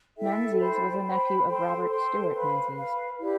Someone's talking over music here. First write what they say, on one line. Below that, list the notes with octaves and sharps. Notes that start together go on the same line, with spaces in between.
Menzies was a nephew of Robert Stewart Menzies.
E4 A4 E5 G5
C5 G5 B5
C5 G5 B5
A4 C5 G5 C6
A4 C5 G5 C6
B4 F5 B5
B4 F5 B5
E4 G4 D5